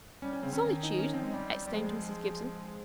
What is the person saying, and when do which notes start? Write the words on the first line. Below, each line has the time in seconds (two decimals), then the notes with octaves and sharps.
"Solitude!" exclaimed Mrs. Gibson.
0.22 G3 C#4
0.33 C#4
0.43 C#3 C4
0.53 D#3 C#4
0.83 D#4
0.99 C#4
1.14 F3 C4
1.23 G#3
1.33 G3
1.65 G3
1.73 F3 G#3